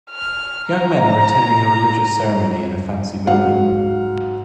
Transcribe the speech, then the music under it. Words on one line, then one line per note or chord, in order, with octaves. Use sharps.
Young men are attending a religious ceremony in a fancy building.
F6
A#5
G#2 F#3 F5 F#5